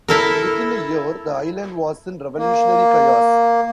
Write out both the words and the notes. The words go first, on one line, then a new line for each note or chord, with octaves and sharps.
Within a year the island was in revolutionary chaos.
E4 A4 A#4
A#3